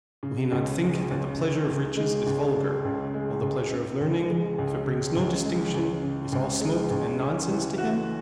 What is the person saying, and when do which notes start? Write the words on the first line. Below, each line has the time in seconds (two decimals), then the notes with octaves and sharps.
Will he not think that the pleasure of riches is vulgar, while the pleasure of learning, if it brings no distinction, is all smoke and nonsense to him?
0.23 C#3
0.52 C#2
0.81 G#3
1.11 C#2
1.39 C#3
1.69 C#2
1.97 G#3
2.27 C#2
2.56 C#3
2.85 C#2
3.14 G#3
3.42 C#2
3.72 C#3
4.00 C#2
4.29 G#3
4.58 C#2
4.87 C#3
5.16 C#2
5.45 G#3
5.74 C#2
6.04 C#3
6.33 C#2
6.61 G#3
6.91 C#2
7.20 C#4
7.48 E3
7.78 F#4